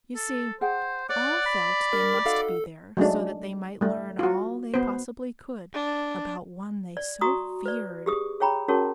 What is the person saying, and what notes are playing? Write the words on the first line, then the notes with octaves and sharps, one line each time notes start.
You see, all felt they must be there so that they might learn all they possibly could about one they so feared.
A4
G#4 C5 F#5 G5
C#5 D5 F#5
B5
D4 A#4
D#4 F#4 A4 F5
F#3 G#3 A3 D4
G3 A3
F4 F#4
B3 C5
D4
D5
F#4 A#5 C#6 D#6
B4 D5
G4 G#4 D#6
G#4 C#5 G5 A#5 B5
C#4 F#4 G#4 A#4 C#5 A5